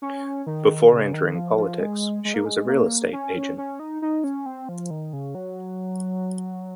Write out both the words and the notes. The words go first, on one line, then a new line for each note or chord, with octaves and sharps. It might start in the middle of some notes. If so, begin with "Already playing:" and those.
Before entering politics, she was a real estate agent.
C#4
D#3
C#3
D#3
F3
F3
G#3
G#3
A#3
G#3
A#3
C#4
C#4
D#4
D#4
C#4
C4
F3
D#3
C#3
F#3